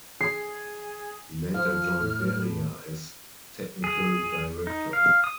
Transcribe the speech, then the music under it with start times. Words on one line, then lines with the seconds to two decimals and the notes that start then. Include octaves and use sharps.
He later joined Veria as technical director.
0.21 G#4 C7
1.54 F3 F6
2.00 A2
3.84 G#4
4.67 D#4
4.93 F5
5.24 D#6